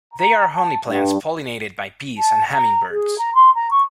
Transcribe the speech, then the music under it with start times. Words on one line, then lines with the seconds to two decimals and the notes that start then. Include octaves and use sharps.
They are honey plants pollinated by bees and hummingbirds.
0.13 A#5
0.54 A5
0.88 G2
2.18 A5
2.52 A#5
2.91 G#4
3.18 A#5
3.35 C6
3.54 A#5
3.70 C#6